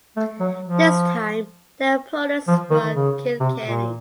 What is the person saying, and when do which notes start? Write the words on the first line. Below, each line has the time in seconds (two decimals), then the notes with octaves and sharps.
This time their opponents were Kilkenny.
0.17 A3
0.40 F#3
0.63 F3
2.47 F3
2.71 D#3
2.95 C#3
3.40 C3
3.64 A#2